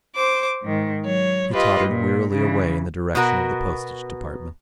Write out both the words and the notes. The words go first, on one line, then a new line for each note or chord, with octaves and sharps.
He tottered wearily away in the direction of the Postage Department.
C5 D6
G#2 D#3
F#3 C#5
F4 G4 B4 D#5
A#2
C#3 E3
B2 B3 F#4 A#4